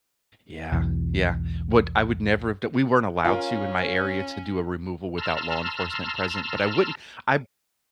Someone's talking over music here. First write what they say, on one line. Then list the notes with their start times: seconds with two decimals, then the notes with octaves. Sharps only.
Yeah, yeah. What I would never have d we weren't allowed to in my area to do a removal without law enforcement present, but I wouldn't I
0.72 B1 E2
3.25 C#4 F4 A#4 C#5 F5 G#5
5.18 A5 A#5 C6 E6 F6